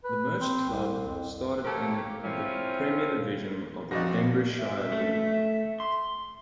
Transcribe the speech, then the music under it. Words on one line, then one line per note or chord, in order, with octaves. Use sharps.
The merged club started in the Premier Division of the Cambridgeshire League.
B4
C4
C2
F2
A3 A#3 G4 A#4 C#5
F3 C4 C#4 E4 F4
A#1 F2 C4 D#4 F#4 D5 A#6
E5
A3
C6